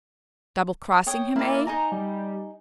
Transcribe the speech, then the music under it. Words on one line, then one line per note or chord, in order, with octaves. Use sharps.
Double-crossing him, eh?
C#5 G5 D#6
A#3 E4 D5
D#4 D#5 G#5 A#5
G3